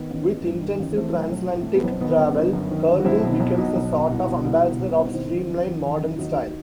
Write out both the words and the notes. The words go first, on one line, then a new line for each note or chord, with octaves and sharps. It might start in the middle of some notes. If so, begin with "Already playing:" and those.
With intensive transatlantic travel, Carlu becomes a sort of ambassador of Streamline Moderne style.
Already playing: D#3 B3
A1
A1
G2
D#3
A1
E3 A3 C4
B1
B1
A2
E3 A3
B3
B1 C4
D#3 B3 D#4
G1
G1
F#2
D#3
G1
F#4
B1 C4 E4
B2
B1
B2 D#4 F#4
B1
B2
C2
B2
C2
B2
C2
B3
B2 C4
D#4
D#3 C4 E4
F#1
F#1
E2
D#3
F#1 D#4
E4
D#2 D#4 F#4
D#3